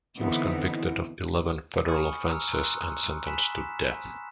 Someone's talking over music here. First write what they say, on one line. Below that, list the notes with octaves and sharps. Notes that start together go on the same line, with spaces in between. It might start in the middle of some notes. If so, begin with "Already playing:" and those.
He was convicted of eleven federal offenses and sentenced to death.
D3 E3 B3 C4 D#4 E4
G#5 B5 C#6 D#6 F6 C#7
A#5 E6 F6
A#5 C6 E6 F#6
G#5 B5 F#6 B6 E7